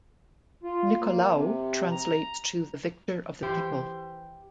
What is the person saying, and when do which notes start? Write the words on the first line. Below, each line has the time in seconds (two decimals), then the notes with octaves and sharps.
Nicolaou translates to the "Victor of the People".
0.63 F4
1.00 A#3
1.29 C3
1.91 A#5
3.43 E3 G4 C5